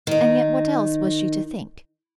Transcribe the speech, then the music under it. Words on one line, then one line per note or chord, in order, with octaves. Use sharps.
And yet what else was she to think?
D#3 D#4